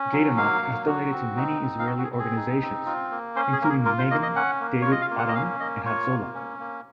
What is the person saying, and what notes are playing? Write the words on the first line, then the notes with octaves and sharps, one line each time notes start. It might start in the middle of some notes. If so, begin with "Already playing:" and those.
Gaydamak has donated to many Israeli organizations, including Magen David Adom and Hatzolah.
Already playing: C#4
F#3
A#3 F5
F#3
F#4
C4
D#4
C4
F5
F#4 D#5
F#4
G#4
C4
G#4
D#4
C4
F4
A#3
C#4 C5
G#4
A#3 A#4
G#4
F4 A#4
C5
A#3 D#5
D#5
C#4 F#5
A#3
F4 C#5
D#5
F5
A#3
F#5
D#5
C#4 F5
A#3 D#5
F4 C#5
A#3
C#4
A#3